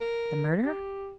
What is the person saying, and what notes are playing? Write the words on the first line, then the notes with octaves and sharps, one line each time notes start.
"The murder?"
A#4
G4